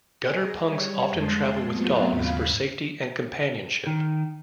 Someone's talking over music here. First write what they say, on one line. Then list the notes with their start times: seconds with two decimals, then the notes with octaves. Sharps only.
Gutter punks often travel with dogs for safety and companionship.
0.21 G#4 D#5
0.63 G3 C#5
1.11 F2 G#3 A5 C6
1.69 F#3 A3 B3 C4 F4
2.08 D#2 G#2 C#3 F5 B5
3.87 D#3